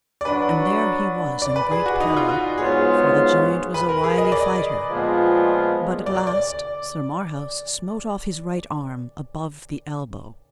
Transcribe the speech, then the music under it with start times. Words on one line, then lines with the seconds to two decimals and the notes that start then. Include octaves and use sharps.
And there he was in great peril, for the giant was a wily fighter, but at last Sir Marhaus smote off his right arm above the elbow.
0.21 D5
0.25 F#3 D4 F#4 B4
1.42 D5
1.56 B4
1.71 G#4
1.86 F#4
2.00 D#4
2.17 F4
2.29 F#4
2.58 G#2 F#3 B3 F4 G#4
3.74 B4
3.89 A#4
4.04 G#4
4.18 D#5
4.32 D5
4.90 A#2 F3 G#3 B3 F4
6.06 D5
6.27 D5